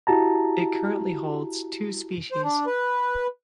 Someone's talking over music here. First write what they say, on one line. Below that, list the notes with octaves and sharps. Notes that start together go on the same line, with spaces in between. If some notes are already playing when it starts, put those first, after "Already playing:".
It currently holds two species.
E4 F#4 G4 A5 A#5
C5
D4
B4